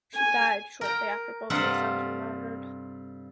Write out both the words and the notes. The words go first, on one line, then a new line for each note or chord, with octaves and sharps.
She died shortly after both her sons were martyred.
G#5
A#4 G5 A#5
G2 C3 G3 F4 A4 F#5